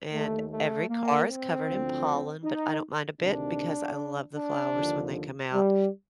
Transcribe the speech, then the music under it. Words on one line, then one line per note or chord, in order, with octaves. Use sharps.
and every car is covered in pollen, but I don't mind a bit because I love the flowers when they come out.
D#2 D#3 A3
A3
A#3
C4
D2 D3 F3
D#4
D2 C3 D#3 D4
D4
D#2 D3 F3
G3